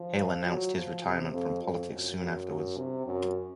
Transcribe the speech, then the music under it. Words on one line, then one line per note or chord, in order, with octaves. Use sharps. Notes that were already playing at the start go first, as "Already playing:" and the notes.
Hale announced his retirement from politics soon afterwards.
Already playing: F3
F#3
F3
C3
F2
F2
F#2
C3
F#2